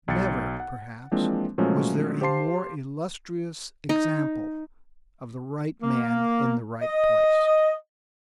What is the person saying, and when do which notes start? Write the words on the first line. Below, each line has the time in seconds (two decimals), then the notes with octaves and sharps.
Never, perhaps, was there a more illustrious example of the right man in the right place.
0.08 B1 G5 A6 C#7
0.60 F#5
1.11 E3 F3 G#3 A#3 C4 D4
1.58 A#2 F3 F#3 G#3 A3 C#4
2.21 G4 C5 F5 A5 C6 C7
3.89 D#4
5.82 A#3
6.82 D#5